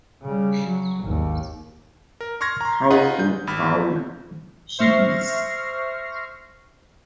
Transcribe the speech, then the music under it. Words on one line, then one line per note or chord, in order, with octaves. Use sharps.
How good bowler he is?
C#3 G3
F#3
G#1 D#2
A#4
C6 C#6 F6 G#6 A#6
A#5 C6
D#4 F4 G#4 B4 D#5 F#5
G6
G#1 B5 F6
C5 E5 C#6 F6 A#6 C7